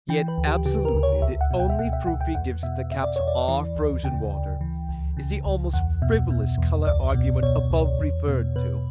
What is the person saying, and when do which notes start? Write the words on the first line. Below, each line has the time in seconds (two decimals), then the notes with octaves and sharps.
Yet absolutely the only proof he gives that the caps are frozen water is the almost frivolous colour-argument above referred to!
0.09 E3 G5
0.28 B4
0.38 D2
0.47 G4
0.66 C#3 G4
0.85 A#4
0.94 D2
1.03 C#5
1.22 C#2 E5
1.41 F#5
1.51 B2
1.60 G5
1.70 E5
1.79 B2 F#5
1.93 E5
2.07 C#2 F#5
2.21 G5
2.35 E2 F#5
2.63 B2 E5
2.91 B2 E5
3.03 D5
3.16 E2 C#5
3.28 D5
3.48 E3
3.76 D2
4.04 C#3 G5
4.33 D2
4.61 E3
4.89 C#2
5.17 C#3
5.46 C#2
5.73 E2 F#5
6.02 B2 E5
6.30 B2
6.58 E2
6.86 C#2 D5
7.15 B2
7.42 B2 C#5
7.70 C#2
7.99 E2
8.28 B2
8.56 B2 B4